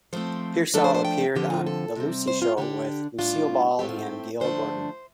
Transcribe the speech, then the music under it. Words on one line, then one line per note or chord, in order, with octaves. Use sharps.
Piersall appeared on "The Lucy Show" with Lucille Ball and Gale Gordon.
F3 A3 C4 C5
F3 A3 D4 A4
C5
C5
G5
D3 F3 C4 G4
F4
A4
C3 G3 C4
C5
F4
D3 G3 D4 G4
A2 G3 D4 F4
A2 A3 C4 G4
F4
G4
D3 F3 A3 D4 C5